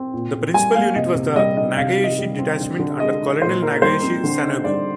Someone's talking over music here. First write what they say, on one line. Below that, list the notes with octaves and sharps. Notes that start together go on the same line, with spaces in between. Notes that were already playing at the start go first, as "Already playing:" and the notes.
The principal unit was the Nagayoshi Detachment under Colonel Nagayoshi Sanonebu.
Already playing: C4
A#2
A#2
G3 G#5
A#3 F5
C3 D#5
C3
G3 D#5
D4 D#5
C3 F5
D#4
D#5
G3
C4
D3
D3
G#3 D#5
D#4
A#2 C5
D#4 A#4
G3 C5
C4
D3
D#4
G3 D5